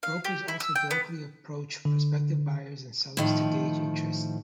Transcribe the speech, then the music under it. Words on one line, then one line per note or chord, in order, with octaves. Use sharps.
Brokers also directly approach prospective buyers and sellers to gauge interest.
F5
G4
E4
E6
G5
B3
D3
A2 D#3 F3